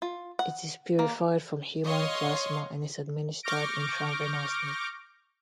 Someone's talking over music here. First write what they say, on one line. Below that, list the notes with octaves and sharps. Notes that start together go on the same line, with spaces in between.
It is purified from human plasma and is administered intravenously.
F4
F#5
A#3
C#5 D#5 F5 C6
C#6 D6 F6 G6 A#6 D7